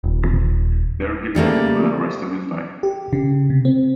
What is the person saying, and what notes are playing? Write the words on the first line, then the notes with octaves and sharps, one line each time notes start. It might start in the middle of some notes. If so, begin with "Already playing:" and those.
There he lived for the rest of his life.
D#1
C#3 G3 A3 A#3
G4
C#3
C3
C4